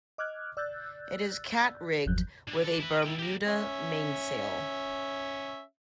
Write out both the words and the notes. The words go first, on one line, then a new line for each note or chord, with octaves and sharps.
It is cat rigged with a Bermuda mainsail.
D#5 D6 F6 F#6 G#6
D5 E6 F#6 G6 A6
G1 E2 F3 F#3 F#6 G6
D3
A4 D5
E4 B4
E4 G5
G4 A#4
C#4 E5